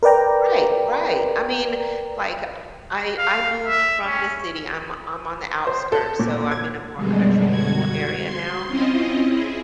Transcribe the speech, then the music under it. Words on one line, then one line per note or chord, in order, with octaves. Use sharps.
Right, right. I mean, like, I I I moved from the city, I'm I'm on the outskirts, so, I'm in a more country, rural area now,
A#4 B4 D5 G5 A#5
F5
E5
C#4
C5
A4
A#2
G#6
F#2 B2 D3 G3 G#3
F#4 G#6
C6
C4 C#4 E4 F4 D#5
E4 G#4